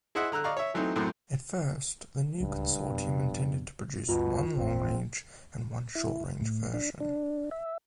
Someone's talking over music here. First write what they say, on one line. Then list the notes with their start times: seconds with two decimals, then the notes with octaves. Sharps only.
At first, the new consortium intended to produce one long-range and one short-range version.
0.15 E4 G#4 C5 D#5 E5 F#5
0.32 D3 A#5 E6 F#6
0.44 D5 D#5 F5 A#5 C#6
0.57 C#5 E5
0.74 E3 F#3 A3 C4 D#4
0.96 F#2 A2 F#3 C4
2.40 D1 C#2 G2
2.92 F2 B2
4.09 D2 G2 B2 F4
4.56 G#1 E2 C4
5.95 E4
6.41 A2
6.74 D4
7.00 D4
7.51 E5